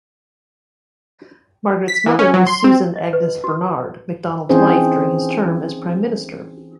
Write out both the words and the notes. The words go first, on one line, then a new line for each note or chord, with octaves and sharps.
Margaret's mother was Susan Agnes Bernard, Macdonald's wife during his term as Prime Minister.
B6
E3
C#4
F#3
C6
C4
D#5
B4
F#4
E3 C4 C#4 D#4 G#4 C5